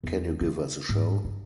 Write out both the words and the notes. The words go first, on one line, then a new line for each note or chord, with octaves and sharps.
Can you give us a show?
E2
A3
G#2
G2